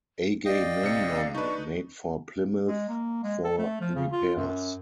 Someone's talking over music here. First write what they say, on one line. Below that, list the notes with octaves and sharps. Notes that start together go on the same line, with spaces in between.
"Agamemnon" made for Plymouth for repairs.
D5 D#5 F5 G5
C3 C#7
D4 D#4 B4 A5 C#6
G#3
A#3
G#3
A4
A3
F3
C#3
F4
F#2